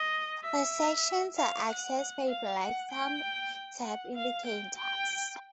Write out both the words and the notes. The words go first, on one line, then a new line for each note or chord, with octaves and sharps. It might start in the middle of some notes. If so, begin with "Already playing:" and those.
The sections are accessed by black thumb tab indicators.
Already playing: D#5
E5
F5
F#5
F#5
F5
F#5
G5
F#5
F5
G5
G5